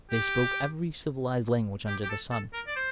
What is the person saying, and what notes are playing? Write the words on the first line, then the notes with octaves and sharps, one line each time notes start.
They spoke every civilized language under the sun.
G4
G4
G4
A4
A4
A#4
D5
C5